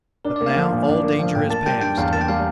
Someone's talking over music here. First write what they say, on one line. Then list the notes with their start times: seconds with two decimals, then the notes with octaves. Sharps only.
But now all danger is past.
0.25 D4 A#4
0.36 D5
0.41 A#3
0.46 F5
0.56 F3
0.73 A#2
0.88 D4
1.03 A#3
1.19 F3 F5
1.35 A#2 G5
1.50 A#3 A5
1.66 G3 G5
1.81 D3 G5
1.97 E2 F5
2.13 A#3 A5
2.21 G5
2.28 G3 F5